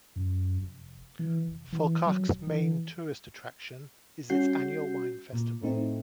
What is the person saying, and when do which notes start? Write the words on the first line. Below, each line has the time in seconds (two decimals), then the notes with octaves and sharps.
Volkach's main tourist attraction is its annual wine festival.
0.16 F#2
0.60 F1
1.19 E3
1.48 F1
1.72 E3
2.06 F#3
2.28 E1
2.47 E3
4.30 G3 C#4 F#4 G6 C7
5.33 A#2
5.62 A2 A3 C4 D#4